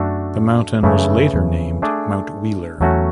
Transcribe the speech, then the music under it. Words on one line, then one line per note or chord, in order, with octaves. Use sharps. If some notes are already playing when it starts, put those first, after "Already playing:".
The mountain was later named Mount Wheeler.
Already playing: F#2 A3 D4 F#4 A4
F#2 C#3 E3 A3 E4
E2
A3 D4 G#4 D5
E2 F#3 A3 C#4 F#4